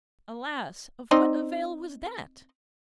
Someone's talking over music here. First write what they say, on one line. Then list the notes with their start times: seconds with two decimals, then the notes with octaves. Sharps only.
Alas! of what avail was that?
1.11 C4 D#4 D5